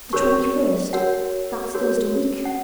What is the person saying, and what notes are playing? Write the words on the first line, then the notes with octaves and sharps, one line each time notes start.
'The twenty-first--that's Thursday week.
F#4 A#4 C#5 C#6
F#4 A#4 C#5 F#5
F#4 A#4 C#5
F#5